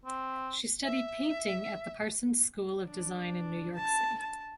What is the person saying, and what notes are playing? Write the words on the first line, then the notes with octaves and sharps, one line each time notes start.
She studied painting at the Parsons School of Design in New York City.
C4
E5
D4
A5
A5